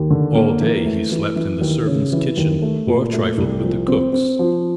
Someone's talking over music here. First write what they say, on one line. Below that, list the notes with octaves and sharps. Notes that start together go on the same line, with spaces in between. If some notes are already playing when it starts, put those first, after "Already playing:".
All day he slept in the servants' kitchen or trifled with the cooks.
Already playing: D#2
D3
A#3
E3
A3
E3
E3
D#2
C#3
E3
D#2
A3
A#2
A3
C2
F3
C4
C4
F3